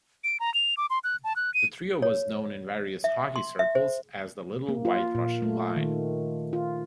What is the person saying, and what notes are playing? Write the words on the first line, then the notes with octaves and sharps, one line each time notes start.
The trio was known in various hockey circles as the "Little White Russian" line.
D7
A#5
F7
D6
C6
F#6
A5
F#6
D#7
C#5
E5
C6
E5
C5
A#3
F4
A#2
A3
D#3
F4